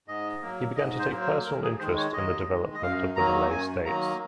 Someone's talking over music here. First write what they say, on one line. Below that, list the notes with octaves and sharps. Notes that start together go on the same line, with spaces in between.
He began to take personal interest in the development of the Malay States.
G#2 D#5
F#3 A#3
G#2 D#5
C5
F#3 A#3
C5
D#2 A#4
G#4
D#3 G#3 C5
C#5
D#2 D#5
D#3 G#3
D#5
F#2 F5
D#3 F#3 A#3 A#5
F#2 G#5
D#3 F#3 A#3 A#5